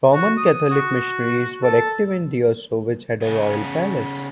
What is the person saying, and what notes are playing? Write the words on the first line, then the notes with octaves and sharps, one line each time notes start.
Roman Catholic missionaries were active in Diosso, which had a royal palace.
F#4
D#6
F#4
A4
C#3 B3